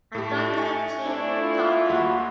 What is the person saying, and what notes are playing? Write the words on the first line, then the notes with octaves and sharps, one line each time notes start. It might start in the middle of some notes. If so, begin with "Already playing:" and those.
I don’t usually drink coffee.
A2 A3 G4
G#5 C#6 A6
A3 D4 E4
F4
D#2 F#4 B5